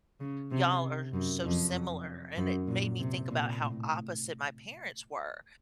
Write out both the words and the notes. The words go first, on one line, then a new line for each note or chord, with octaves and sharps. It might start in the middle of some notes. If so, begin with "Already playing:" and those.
y'all are so similar, and it made me think about how opposite my parents were,
C#3
C3
F#2
F2
F#2
A#2
C3
A#2
A2